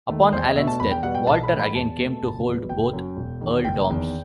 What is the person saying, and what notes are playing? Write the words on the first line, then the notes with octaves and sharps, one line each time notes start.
Upon Allan's death, Walter again came to hold both earldoms.
D#2 D#3 A3
E2 C5
D#5
B2 A3 E5
A5
E2 B5
G5
B2 G3 B3 F#5
G5
B1 A5
B5
A2 E3
B5
E2 A5
B2 A3
F#1
E2 B2 F#3 B3
F#1 G5
F#2 F#3
E1
E2 D#3
F#1 G5
E2 D#3